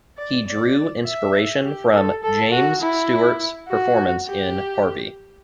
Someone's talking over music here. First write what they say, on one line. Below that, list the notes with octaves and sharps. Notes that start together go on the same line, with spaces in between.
He drew inspiration from James Stewart's performance in "Harvey".
D5
D5
E5
G4
A4
A4
F#4
E4
F#4
G4